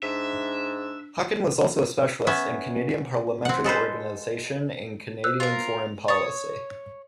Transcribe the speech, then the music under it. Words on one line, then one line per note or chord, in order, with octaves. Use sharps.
Hockin was also a specialist in Canadian parliamentary organization and Canadian foreign policy.
G#2 D4 E5
B3 C#4 E5
C4 F#5
G#3 A4 B4 C5
C5 E6 F#6
F4 A#4
C#5 D#6 A6